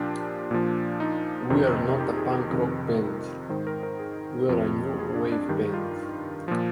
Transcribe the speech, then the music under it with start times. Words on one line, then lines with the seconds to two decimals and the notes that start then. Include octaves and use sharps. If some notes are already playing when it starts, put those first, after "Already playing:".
We're not a punk rock band, we're a new wave band.
Already playing: A#2 F3 D4 F4 G4
0.51 A#2 F3
1.00 D#4
1.50 F2 C3 D#3
2.01 G4
2.17 G#4
2.33 A#4
2.50 F2 C3 D#3
3.49 G#2 D#3 C5
3.67 A#4
3.83 A#4
3.99 G#4
4.49 F2 C3 F3
4.99 G#4
5.15 D4
5.32 D4
5.48 G2 D#3 G4
5.74 F4
6.48 A#2 F3